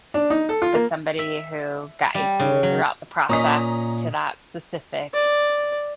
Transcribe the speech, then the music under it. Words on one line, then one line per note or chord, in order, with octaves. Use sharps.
but somebody who guides you throughout the process to that specific,
D4
D#4
A4
F4
A#3
E5
G3
C#3
F#3
A#2 C#4 D#5 A#5 D#6 B6
D5